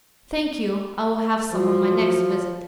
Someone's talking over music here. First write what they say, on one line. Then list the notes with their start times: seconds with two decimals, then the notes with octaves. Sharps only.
"Thank you, I will have some on my next visit."
1.53 F3 F#3